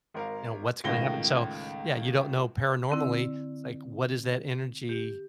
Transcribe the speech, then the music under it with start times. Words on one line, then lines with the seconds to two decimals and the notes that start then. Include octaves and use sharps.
you know, what's gonna happen, so yeah, you don't know paranormally like, what is that energy
0.14 G#1 A#4 F5
0.84 C#2 A2 D#3 A#6 G7
2.90 D3 C4 E4
4.89 G4